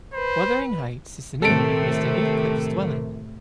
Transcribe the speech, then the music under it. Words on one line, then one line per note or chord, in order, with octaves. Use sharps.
Wuthering Heights is the name of Mr. Heathcliff’s dwelling.
B4 C5
A2 C3 D#3 A3 A4 D7